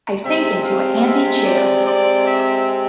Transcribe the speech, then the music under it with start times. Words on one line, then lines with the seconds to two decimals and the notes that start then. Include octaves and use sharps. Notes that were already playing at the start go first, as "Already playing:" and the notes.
I sank into a handy chair.
0.23 C3 G#3 C4 E5
0.64 F5
1.05 E5
1.45 D5
1.85 D5
2.25 E5